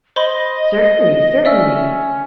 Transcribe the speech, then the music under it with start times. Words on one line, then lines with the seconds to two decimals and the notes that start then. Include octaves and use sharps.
"Certainly, certainly."
0.16 C5 D#5 B5 C6
1.45 C#4 D5 E5 E6